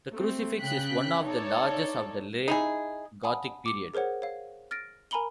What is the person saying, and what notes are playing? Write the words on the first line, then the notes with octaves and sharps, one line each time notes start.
The crucifix is one of the largest of the late Gothic period.
A3 C4
C#3 G5 F#6 B6
D#4 A4 C#5 D5
D#4 E4 G#4
F#5 G#5 A5 B5 D#6
D6 C#7
G#4 A#4 C5 C#5 F#5
C#5 F5
F6 A6 A#6 D7
A#4 G#5 A#5 B5 F#7 G7